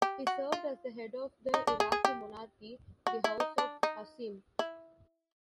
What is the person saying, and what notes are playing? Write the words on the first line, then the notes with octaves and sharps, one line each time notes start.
He served as the head of the Iraqi monarchy-the House of Hashim.
G4
F#4
F4
D#4
D4
G#4
G#4
G4
F#4
E4
D#4
D4
D#4
E4